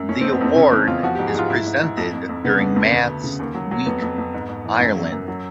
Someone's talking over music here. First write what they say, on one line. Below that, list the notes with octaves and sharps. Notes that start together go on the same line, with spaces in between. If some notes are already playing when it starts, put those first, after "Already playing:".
The award is presented during Maths Week Ireland.
Already playing: F#2
F2 C#4
C4
F2
B3
F2 C4
C#3 C#4
E3 C4
E2 F4
F3 F#4
G4
G#2
G#4
G#2 F4
G#2 E4
G#2
G#2
F2
F2
F2
C#3 B3
F2
F2
D2
D2
C#3
D#2
F#3
F#3
F2 B3
F2
F2
G#2
G#2
E3
F#2
F#3
F#2
F#3